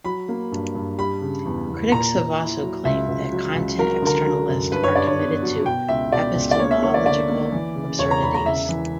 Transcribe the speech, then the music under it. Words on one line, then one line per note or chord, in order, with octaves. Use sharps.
Critics have also claimed that content externalists are committed to epistemological absurdities.
F#3 B5
A#3
G2
G2
G3 B5
C#3
E2
E2
A#2 A#5
A#2
E4
F#3
C#2 E5
C#2
F#3
C#2
F#3 A#4
D3 A#4
F#3
F#2
G2 B4
C#5
G2 D5
C#5
B3
F#3
B2 G5
C#2 E5
B2 D5
C#2
D5
A#3 C#5
E5
A#3 C#5
D5
D3 D5
A#3
E3
C#3
E1 C#5
A#5
E1 B5
A#5
C#3 E5
E3